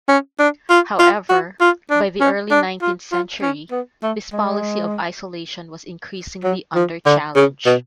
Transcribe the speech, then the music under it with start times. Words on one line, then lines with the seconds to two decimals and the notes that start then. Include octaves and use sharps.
However, by the early nineteenth century, this policy of isolation was increasingly under challenge.
0.08 C#4
0.39 D4
0.70 F4
0.99 F4
1.29 F#4
1.60 F4
1.90 D4
2.21 C#4
2.51 D4
2.82 F4
3.12 F4
3.42 C#4
3.71 B3
4.03 A3
4.33 G#3
6.44 F#3
6.75 F3
7.06 D3
7.35 C#3
7.66 B2